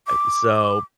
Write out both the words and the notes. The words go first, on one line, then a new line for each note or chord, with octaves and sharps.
I so
D6